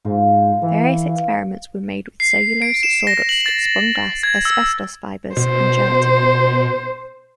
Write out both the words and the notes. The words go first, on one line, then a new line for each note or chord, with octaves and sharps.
Various experiments were made with cellulose, sawdust, spun glass, asbestos fibers, and gelatine.
G#2 D#4 F4
E3 A4
F5 C#6
C7
D7
E7
A#6
F#7
A6
G#6
E6
B2 C5